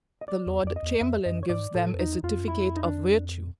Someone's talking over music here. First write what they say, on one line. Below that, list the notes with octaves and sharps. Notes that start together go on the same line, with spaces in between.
The Lord Chamberlain gives them a certificate of virtue.
D#5
D5
E2
F2 D5
D#5
E2
F2 E5
F#2 D#5
C#5
G#2 D5
A2 A4
F2
E2 D#4
F2 F4
F#2
F2 E4
D#4
D4